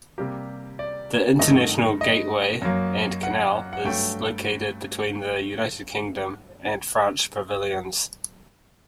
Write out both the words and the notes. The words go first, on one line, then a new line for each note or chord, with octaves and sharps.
The International Gateway and canal is located between the United Kingdom and France pavilions.
C3 G3 A#3 G4
D5
G2 D#3 A3 D#5
D#5
F#2 F#3 A#3
F#5
F#5
G2 F#3 A3 G5